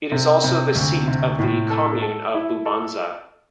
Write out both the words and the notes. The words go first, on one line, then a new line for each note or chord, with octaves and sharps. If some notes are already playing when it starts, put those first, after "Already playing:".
It is also the seat of the Commune of Bubanza.
C3
C3
D2
C3
A2
A4
A4
E4
A4